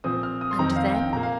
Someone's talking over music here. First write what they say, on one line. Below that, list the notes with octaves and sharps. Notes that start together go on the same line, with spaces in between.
"And then?"
A#2 F3 C4 D#6
F6
D#6
C6
F2 D#3 C4 A#5
F5
G5
A#2 A#3 A#5
F5